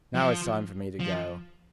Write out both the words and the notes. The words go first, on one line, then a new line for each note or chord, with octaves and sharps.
Now it's time for me to go.
F3
F3